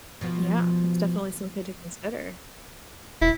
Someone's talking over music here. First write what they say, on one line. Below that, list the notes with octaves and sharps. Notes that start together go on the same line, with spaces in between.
Yeah. It's definitely something to consider.
B2 F3 B3
E1 E4